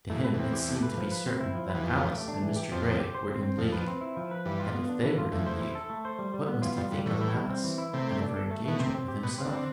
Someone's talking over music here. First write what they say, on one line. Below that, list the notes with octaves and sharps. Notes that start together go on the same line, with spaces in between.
To him it seemed to be certain that Alice and Mr. Grey were in league;--and if they were in league, what must he think of Alice, and of her engagement with himself!
E2 A3
B4
E2
C4
G4
A3
B4
F3
B4
C4
E4
F3
E2 B4
F2 E3
G4
A3
D4
E3
G4
F2 C4
C4
G4
C5
C4
C4
F2 F3
B4
C4
E4
F3
B4
G2 E3
F4
B3
D4
E3
F4
E2 A3
C5
E4
A4
A3
C5
G3
G3
B3
E2 F4
F2 G3
G2 G3
A2 E3
E4
G3
C4
E3
E4
C3 A3
A3
D4
A4
A3
B2 A3
C3 C4
C4
G4
B2 B4
C4
D3
C4